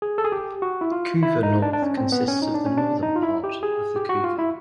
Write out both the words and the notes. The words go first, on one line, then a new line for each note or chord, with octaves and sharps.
Couva North consists of the northern part of the Couva.
G#4
A4
G#4
G4
F#4
E4
F4
E4
D#4
D4
D4
C#4
C4
B3
C#4
D#4
D4
C#4
D4
D#4
F4
E4
G4
G#4
G4
F#4
F4
E4